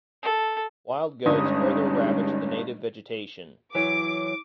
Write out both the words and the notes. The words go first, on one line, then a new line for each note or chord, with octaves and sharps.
Wild goats further ravaged the native vegetation.
A4
G1 G2 G3 G#3 C#4 D#4 D#6
E3 F#3 C#5 D6